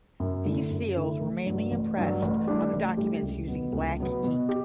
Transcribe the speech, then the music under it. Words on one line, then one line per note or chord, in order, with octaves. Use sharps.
These seals were mainly impressed on documents using black ink.
F#2
D3 A3 E4
F#2
D3 A3 E4
A1
G2
F#3
A1
G2 F#3
A1
A2 G3 D4 G4
A1
A2 G3 D4 G4
C#2
B2 F#3 B3
C#2
B2 F#3 B3
B2
G4